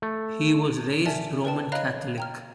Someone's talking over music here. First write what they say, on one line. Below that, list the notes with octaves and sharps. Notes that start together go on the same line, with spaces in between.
He was raised Roman Catholic.
A3
A#4 D5 E5 G#5 A5
A#4 B4 D5 G5 A5
C#5 D#5 F5 A#5 B5 F#6
G5 A#5 F6